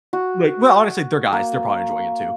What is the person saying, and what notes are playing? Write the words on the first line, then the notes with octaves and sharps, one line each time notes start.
like well, honestly, they're guys, they're probably enjoying it too.
F#4
A#3